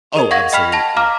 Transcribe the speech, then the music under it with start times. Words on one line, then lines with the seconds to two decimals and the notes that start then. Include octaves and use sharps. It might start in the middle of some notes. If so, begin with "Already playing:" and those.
Oh, absolutely.
0.16 G#4 A#4 D#5
0.31 F5 F#5 C#6 G#6 A#6
0.53 D#5 G5 B5 F6 B6 F7
0.72 A5 A#6 F7
0.97 F5 A#5 D6 F6